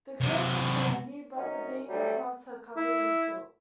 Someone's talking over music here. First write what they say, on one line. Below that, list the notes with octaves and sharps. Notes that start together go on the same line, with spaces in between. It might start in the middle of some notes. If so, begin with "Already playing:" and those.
The coasts are sandy but the deeper parts are covered in silt.
C3 F#3
F#2 C#4 D#4
D2 F#3 G3 A3
E4